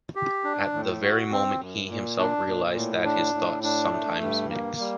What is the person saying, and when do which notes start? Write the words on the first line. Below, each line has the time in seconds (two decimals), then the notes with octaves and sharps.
At the very moment he himself realized that his thoughts sometimes mix.
0.15 G4
0.44 D4
0.74 A2
1.02 F#4
1.31 C4
1.60 F#2
1.89 A#2
2.19 D4
2.47 A#2
2.76 A2
3.05 D4
3.34 A2
3.63 D4
3.92 A3
4.21 G2
4.50 A#3
4.79 G3